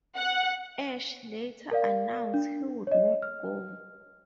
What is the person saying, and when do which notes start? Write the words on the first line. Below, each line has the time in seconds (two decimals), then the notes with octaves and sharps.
Ash later announced he would not go.
0.15 F#5
1.71 A#4 D5 F5
2.34 D4
2.87 C#5 D#5
3.22 F6